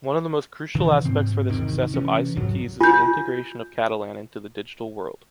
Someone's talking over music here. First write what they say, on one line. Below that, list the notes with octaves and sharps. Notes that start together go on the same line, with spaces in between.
One of the most crucial aspects for the success of ICTs is the integration of Catalan into the digital world.
F1 C3 D#3 E3
G#2 C4
G#1 E2 C3 D#3
C3 E3 C#4
C2 F2 G#2 F#3
F4 G#5 G6